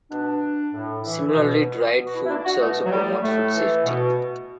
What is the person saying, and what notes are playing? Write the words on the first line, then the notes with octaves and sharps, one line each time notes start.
Similarly, dried foods also promote food safety.
B2 D4
A2
E3
B2
B2
F#4
E4
E4
D4
F#4
B2 A3
F#3
G3
A2 A3
E3
B2